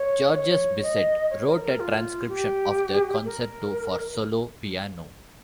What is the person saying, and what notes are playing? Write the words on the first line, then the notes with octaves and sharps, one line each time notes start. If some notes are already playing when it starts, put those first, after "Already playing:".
Georges Bizet wrote a transcription of the concerto for solo piano.
Already playing: C#5
C#5
D#5
C#5
A#4
A#4
F4
G4
A#4